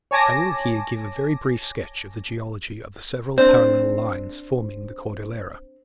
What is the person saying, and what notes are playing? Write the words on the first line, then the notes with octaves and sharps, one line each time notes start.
I will here give a very brief sketch of the geology of the several parallel lines forming the Cordillera.
C#5 G#5 A5 D6 A#6
C4 D4 C5